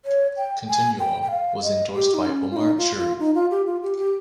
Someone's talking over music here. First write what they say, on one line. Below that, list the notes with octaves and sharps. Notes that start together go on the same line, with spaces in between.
Continuo was endorsed by Omar Sharif.
C#5
G5
G#5
G5
G5
F5
D#5
G4
D#4
C#4
F4
D#4
F4
F4
D#4
F4
G4
F4
G4
G4